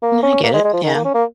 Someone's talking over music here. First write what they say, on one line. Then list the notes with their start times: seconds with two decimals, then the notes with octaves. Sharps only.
Yeah, I get it. Yeah.
0.03 A#3
0.23 C#4
0.43 A#3
0.53 G#3
0.64 G#3
0.73 F3
0.84 D#3
0.94 A#3
1.05 C#4
1.15 A#3